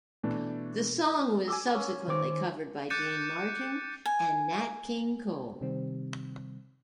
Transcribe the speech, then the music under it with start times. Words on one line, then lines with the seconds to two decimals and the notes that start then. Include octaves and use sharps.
The song was subsequently covered by Dean Martin and Nat King Cole.
0.23 B2 E3 A3 D4
1.48 G#5 D6 E6
1.74 C#4
2.08 D#3 C5 D6
2.90 D6 F#6 G6 A6 C#7 D#7
4.05 G#5
5.61 C3 D#3 G3 C4